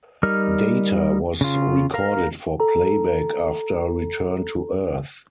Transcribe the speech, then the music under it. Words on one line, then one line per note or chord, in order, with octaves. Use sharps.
Data was recorded for playback after return to Earth.
G3 D#4 A#4 F6
C#3 F4
A#4 F5 A#5
A4 A#5